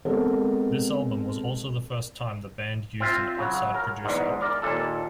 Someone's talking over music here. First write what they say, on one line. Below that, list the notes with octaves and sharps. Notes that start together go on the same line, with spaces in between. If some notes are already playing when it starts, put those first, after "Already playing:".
This album was also the first time the band used an outside producer.
G#3 B3 C4 A4 A#4
C4 F4 E5
C#3 F#3
A#4
E2 G#2
A#4 D5
D#2 A#2 A4